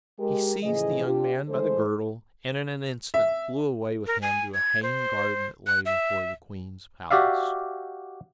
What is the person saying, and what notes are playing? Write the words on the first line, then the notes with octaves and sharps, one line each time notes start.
He seized the young man by the girdle, and in an instant flew away with him to a hanging-garden that lay before the queen's palace.
G#3 G4 A#4
A2 C#3 E3 F3 G#4 D#5
D4 F4 G4
E3 G#3 A3 A4 C5
E5
A#4
G#5
G#6
C5
F#6
E5
F#4 G4 D5 E5 F5